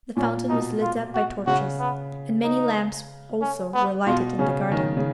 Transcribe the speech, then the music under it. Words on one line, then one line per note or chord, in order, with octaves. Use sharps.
The fountain was lit up by torches, and many lamps also were lighted in the garden.
A#2 C#4
B2 D#4
F4
F#4
C#3 F#4
B3
D#4
C#4
B3
B2 F4
C#3 C#4
D#3 C#4
C#3